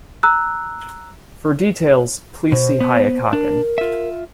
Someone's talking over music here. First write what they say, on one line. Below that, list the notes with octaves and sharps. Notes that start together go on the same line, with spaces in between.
For details, please see Hayakaken.
A#5 E6 F#6
B2 C5
B3
D4 A#4
F4 E5